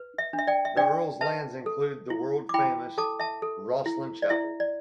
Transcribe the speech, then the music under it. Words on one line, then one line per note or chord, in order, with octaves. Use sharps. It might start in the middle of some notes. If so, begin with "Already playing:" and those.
The Earl's lands include the world-famous Rosslyn Chapel.
Already playing: B4
E5
D4
E5
D5 G5
E5
D4 D5 G5
B4 E5 A5
A4
E4
D6
E4 G5 B5
A4 A5 D6
E5 A5
A4
E4
D5
E4 E5
D5